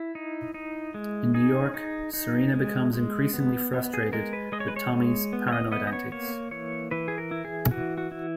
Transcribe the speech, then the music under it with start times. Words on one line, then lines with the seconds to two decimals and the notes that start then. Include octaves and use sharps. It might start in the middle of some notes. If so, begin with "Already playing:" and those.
In New York, Serena becomes increasingly frustrated with Tommy's paranoid antics.
Already playing: E4
0.15 D#4
0.54 D#4
0.94 G#3
1.34 D#4 G#4
1.74 D#4
2.13 D#4
2.54 G#3
2.93 G#3
3.33 B3
3.73 B3
3.94 G#4
4.13 G#3 A#4
4.33 B4
4.52 G#3 D#5
4.60 C#5
4.68 B4
4.76 C#5
4.93 G#3
5.33 B3
5.48 C#5
5.52 D#5
5.72 B3 D#5
5.87 D#5
5.93 C#5
6.12 A#3 C#5
6.51 E3 C#5
6.91 E3 B4
7.08 G#4
7.18 A#4
7.31 E4
7.45 G#4
7.71 E3 F#4
7.98 F#4
8.11 E4